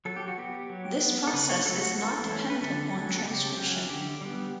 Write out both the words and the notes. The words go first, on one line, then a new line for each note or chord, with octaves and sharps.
This process is not dependent on transcription.
F#3 A4
G4
F#4
B3 G4
F#3
B3
A4
C#3 B4
C#5
F#3 A3 A4
F#4
E3 A4
A3 C#4
B4
D3 A4
F#3 C#4
A4
C#3 G4
F#3 C#4
D3 G4
G3 B3